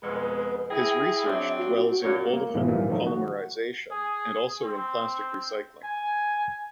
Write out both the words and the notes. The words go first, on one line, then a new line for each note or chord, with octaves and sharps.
His research dwells in olefin polymerization, and also in plastic recycling.
F2 B2 G#3 B4
E4 G#4 G5 A#6
F#3 C4 D4 E5
F#4
F#2 A#2 C#5
A#3
G#2 B2 E3 F3
G2 A#2 E3 F3
D#3 F3 F#3 A3 D#4
F#4
G#4
C4
G#5